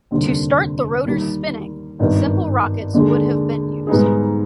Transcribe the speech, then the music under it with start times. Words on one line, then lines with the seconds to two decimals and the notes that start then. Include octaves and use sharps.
To start the rotors spinning, simple rockets would have been used.
0.11 F1 D#2 D3 G3 C4
1.05 D#2 D#3 G3
1.99 G#1 G2 D#3 B3
2.94 D#2 D3 G#3
3.87 G#2 G3 B3 D#4 G#4